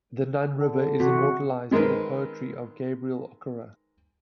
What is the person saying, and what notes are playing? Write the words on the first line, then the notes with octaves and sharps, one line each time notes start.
The Nun River is immortalised in the poetry of Gabriel Okara.
D3
C3 E3 F#4
D#3 G#3 C4 A#4 B4